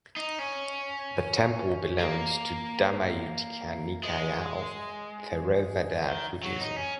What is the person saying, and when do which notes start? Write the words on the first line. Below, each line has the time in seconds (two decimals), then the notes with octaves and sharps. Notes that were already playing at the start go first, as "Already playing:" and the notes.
The temple belongs to Dhammayuttika Nikaya of Theravada Buddhism.
0.16 D#4
0.39 C#4
1.99 A#3
4.03 G#3
6.08 D#3
6.43 F#3
6.60 D#4
6.76 C#4